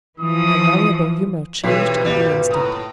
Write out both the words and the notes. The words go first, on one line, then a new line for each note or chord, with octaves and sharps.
Her variable humor changed on the instant.
E3 F3 D#6
B1 C3 E3 B4 C#5 B6 C7
G1 A#2 G3 F#4
A2 A#5 D#6